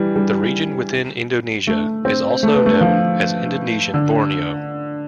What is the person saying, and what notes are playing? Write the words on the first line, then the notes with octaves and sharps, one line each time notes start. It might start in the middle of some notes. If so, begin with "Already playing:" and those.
The region within Indonesia is also known as Indonesian Borneo.
Already playing: E3 G3
G3
A3
C4
A3
B3
A3
F3
D3